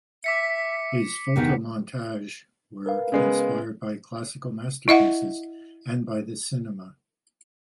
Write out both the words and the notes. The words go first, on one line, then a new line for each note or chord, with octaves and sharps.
His photomontages were inspired by classical masterpieces and by the cinema.
E5 D6 B6 C#7
E2 B2 D#3 G4
A#4 B4 F5
C#3 G#3 B3
E4 D#5 E5 F#5